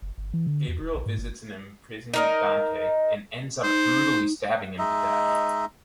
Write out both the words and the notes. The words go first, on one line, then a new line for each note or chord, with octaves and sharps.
Gabriel visits an imprisoned Dante and ends up brutally stabbing him to death.
F#1
G1
E3
D3
E2
D#1
A#1
G#2
G1
D#4 A#4 D#5
D#4 C5
G#3 D#4 D#5 E5